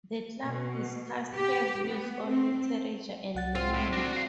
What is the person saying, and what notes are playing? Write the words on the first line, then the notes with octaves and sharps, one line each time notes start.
The club discussed her views on literature and learning.
B2
G4
B3
C4
C2 F#5 A6
C4 F4
A2
D4 F#4 A#6 C7
F#4 F5